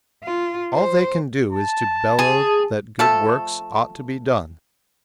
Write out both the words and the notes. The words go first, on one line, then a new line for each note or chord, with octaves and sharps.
All they can do is to bellow that good works ought to be done.
F4
C5
A5
G#4
F3 A3 A4